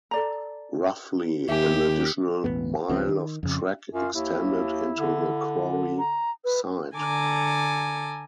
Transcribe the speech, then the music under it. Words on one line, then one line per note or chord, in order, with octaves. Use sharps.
Roughly an additional mile of track extended into the quarry site.
A4 D5 A#5
D#2 G4 E5 G#5
E1 A1 F2 B3
C#2 C#3 F3 C4
D#3
F2 C#3
F#2 F4
D#2 E4
D3
A#5
B4
D3 A4 G#5 A#5 D6